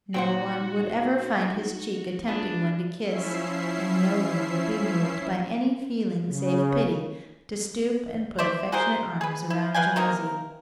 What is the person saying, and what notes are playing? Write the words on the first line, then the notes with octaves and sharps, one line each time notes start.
No one would ever find his cheek a tempting one to kiss, and no one would be moved, by any feeling save pity, to stoop and put affectionate arms around Jonesy.
F2 A#2 D#4 F#4 C5 F#5 G5
D4 F4 G#4 B4
F3 C#4 E4 E5 C7
C#3
C5 D5 E5
F#4 G#4 A#4 C5
G#4 B4
E4
B4 F5 G5 G#5
C3 A#3 D#4 A#4